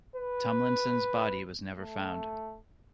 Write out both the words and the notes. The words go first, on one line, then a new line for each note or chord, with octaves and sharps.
Tumlinson's body was never found.
B4
A3